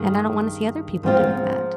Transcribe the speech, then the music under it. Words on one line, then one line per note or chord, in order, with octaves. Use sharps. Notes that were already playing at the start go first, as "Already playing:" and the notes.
and I don't wanna see other people doing that.
Already playing: G2 D#3 A#3 D#4 G#4
G#2 F3 C4 F4